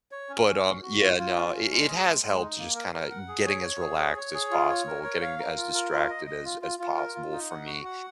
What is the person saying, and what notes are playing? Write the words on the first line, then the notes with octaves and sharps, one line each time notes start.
But, um, yeah, no. It it has helped to just kinda getting as relaxed as possible, getting as distracted as as possible for me,
C#5
C#4
C#4
F#4
F#4
F4
F4
C#4
C#4
G#3
G#4
G#3
G#3
D#4
A#3
A#4
A#4
F#5
G#4
C#5
C#5
G#4
C#5
C#5
G#4
F4
C#5
A#4
C#5
F5
A#4
F4
A#4
F4
D#5
D#5
F4
F4
F4
A#4
F4
D#4
F#5
F#4
F#5